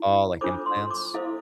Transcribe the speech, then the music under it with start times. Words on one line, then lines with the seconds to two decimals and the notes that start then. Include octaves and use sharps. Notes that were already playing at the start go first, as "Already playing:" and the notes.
Oh, like implants?
Already playing: E4
0.41 D4 F4 A4 C5 D6
0.66 C6
0.91 D6
1.14 E4 A4 C5 F5